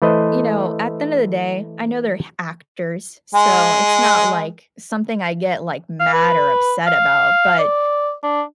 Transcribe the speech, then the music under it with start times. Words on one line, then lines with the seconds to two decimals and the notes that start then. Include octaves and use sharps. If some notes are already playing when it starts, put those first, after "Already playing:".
you know, at the end of the day, I know they're h actors, so it's not, like, something I get, like, mad or upset about, but
0.02 E3 A3 B4 C5 D#5
3.35 G#3
6.00 F5
6.13 B4
6.87 F5
7.59 D5
8.23 D4